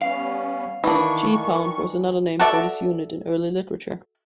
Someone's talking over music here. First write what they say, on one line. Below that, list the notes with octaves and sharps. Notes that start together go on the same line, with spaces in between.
"Geepound" was another name for this unit in early literature.
G3 B3 C#4 F5
D#3 E3 D4 C#6
F#4 A4 D5 E5